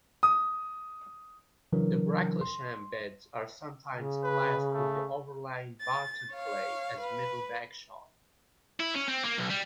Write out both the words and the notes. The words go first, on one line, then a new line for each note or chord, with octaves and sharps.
The Bracklesham Beds are sometimes classed with the overlying Barton clay as Middle Bagshot.
D#6
C#3 E3 F#3 D4 A#4
C6
C#3
B4
A3
A6
C#5 F5
B4
E4
C#4
C4
A#3
B1
G3